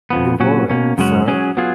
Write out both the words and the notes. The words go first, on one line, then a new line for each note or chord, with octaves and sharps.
You wore it, sir?
F2 F3 B3
A#2 F#3 C#4 F#4
B2 A#3 C#4
F#2 C#3 G#3 C#4 F#4
F#3 C#4 G#4
F#3 B3 F4 G#4